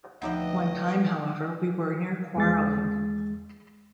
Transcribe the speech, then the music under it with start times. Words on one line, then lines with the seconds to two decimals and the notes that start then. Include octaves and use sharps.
One time, however, we were near quarrelling.
0.22 D2 F3 D#4 B4 D#5 E5 F#5 G5
2.36 E2 G#3 A6